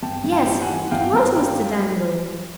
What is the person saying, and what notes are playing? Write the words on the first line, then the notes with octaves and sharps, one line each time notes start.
"Yes--it was Mr. Dangle."
G2 G5 A5
G2
G5 A5
G3
F#5 G#5
E3
G2 F5 G5
G2
G3